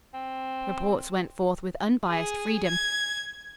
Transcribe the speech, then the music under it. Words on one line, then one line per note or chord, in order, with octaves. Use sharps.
Reports went forth with unbiased freedom.
C4
G#4
G#6